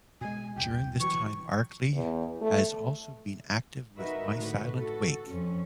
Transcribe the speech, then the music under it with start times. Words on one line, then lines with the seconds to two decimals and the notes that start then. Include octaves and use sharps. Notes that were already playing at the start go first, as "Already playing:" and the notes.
During this time, Arkley has also been active with My Silent Wake.
0.21 B2 G#3 G#5
0.56 E1 C2 G5
1.00 E3 F#3 C#6
1.93 E2
2.41 A3
3.98 D#4 F#4 A#4 B4 E5
4.36 A2 D3 F#4 B4
4.74 F#4 A4
5.29 F2 C#4